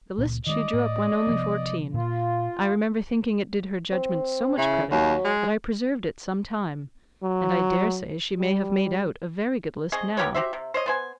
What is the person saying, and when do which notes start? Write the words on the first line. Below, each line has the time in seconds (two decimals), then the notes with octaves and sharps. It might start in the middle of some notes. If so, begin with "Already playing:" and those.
The list she drew up when only fourteen--I remember thinking it did her judgment so much credit, that I preserved it some time; and I dare say she may have made out a very good list now.
0.18 C#2 A#2
0.47 D#3 G#3 D5 D#5
0.73 A2
1.27 C3 F3 B3
1.94 A#2 F4
3.92 C4
4.58 C#3 E4
4.91 D#2 F#3
5.25 G#3
7.23 F#3
8.38 G3
9.92 C4 G#4 D#5 C#6
10.17 B3 G4 A#4 C#5
10.35 F#4 G4 C5 E5
10.53 C3
10.74 C5 C#5 D#5
10.86 B3 C5 G#5